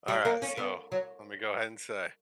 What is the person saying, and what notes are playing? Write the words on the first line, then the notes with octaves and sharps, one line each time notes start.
Alright, so, let me go ahead and say
G3
A#3
C#4
B3
F#3